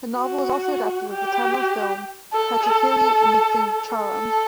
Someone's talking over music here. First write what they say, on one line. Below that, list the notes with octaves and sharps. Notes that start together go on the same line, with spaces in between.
The novel was also adapted as the Tamil film Pachaikili Muthucharam.
F#4
G4
A4
A4
A4